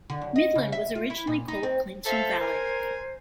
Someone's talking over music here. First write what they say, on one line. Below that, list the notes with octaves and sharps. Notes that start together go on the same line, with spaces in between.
Midland was originally called Clinton Valley.
D3
F#2
D#5
C#3
E5
F4
E4
A#2
D#4
C4
A4 C5 E5 F5
A#4 G#5